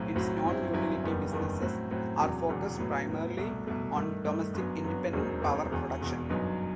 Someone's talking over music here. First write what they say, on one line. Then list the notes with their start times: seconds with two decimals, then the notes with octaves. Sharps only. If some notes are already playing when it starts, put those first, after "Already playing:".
Its non-utility businesses are focused primarily on domestic independent power production.
Already playing: B1 A2 F#3 C4 F#4
0.15 B1 A2 F#3 C4 F#4
0.44 G1 F#2 F#3 C4 E4
0.73 G1 F#2 F#3 C4 E4
1.03 F#1 E2 D#3 G3 B3
1.32 F#1 E2 D#3 G3 B3
1.62 A2 F#3 C4 F#4
1.91 A2 F#3 C4 F#4
2.21 E1 E2 C3 F#3
2.49 E1 E2 C3 F#3
2.79 A2 F#3 B3
3.08 A2 F#3 B3
3.37 C2 B2 A3
3.67 C2 B2 A3
3.96 G2 D#3 A3
4.24 G2 D#3 A3
4.54 G1 F#2 F#3 B3
4.84 G1 F#2 F#3 B3
5.13 E1 D#2 D#3 F#3 C4
5.42 E1 D#2 D#3 F#3 C4
5.72 E1 E2 B2
6.01 E1 E2 B2
6.30 G1 F#2 F#3 B3 D#4